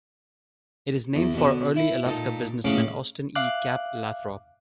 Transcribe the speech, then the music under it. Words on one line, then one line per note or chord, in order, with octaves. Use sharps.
It is named for early Alaska businessman Austin E. "Cap" Lathrop.
E2
B2 D3
E4
A#2 D#4 A4
A2 C#3 C#4 F5 F#5 D6
E5 F5 D6 F#6